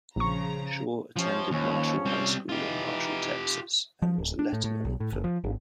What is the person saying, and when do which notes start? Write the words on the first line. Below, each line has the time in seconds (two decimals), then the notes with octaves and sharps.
Shaw attended Marshall High School in Marshall, Texas and was a letterman in football.
0.16 A#1 C#3 F3 A#5 C#6
1.16 C3 F3 C#4
1.51 D#2 F3 C#4
2.05 G3 C4
2.49 E3 D#4 F4 G4
4.02 F3
4.18 D1
4.39 D4
4.53 A2
4.64 A2
4.85 B1
5.00 A2
5.12 F#1
5.24 F3
5.44 G#1